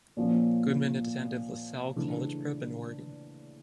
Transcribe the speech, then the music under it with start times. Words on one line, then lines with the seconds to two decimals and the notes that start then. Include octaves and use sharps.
Goodman attended La Salle College Prep in Oregon.
0.17 A#2 F3 C#4
1.96 C#3 E3 A3 D4